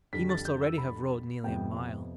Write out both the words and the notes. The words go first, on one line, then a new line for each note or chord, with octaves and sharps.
He must already have rowed nearly a mile.
F2 D3 G3 B6
A6
G6
E6
B5
F2 C3 F3 B3 G5